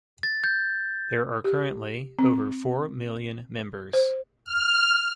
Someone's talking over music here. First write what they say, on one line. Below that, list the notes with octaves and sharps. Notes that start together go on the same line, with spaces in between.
There are currently over four million members.
A6
G6
G4
C4
C5
F6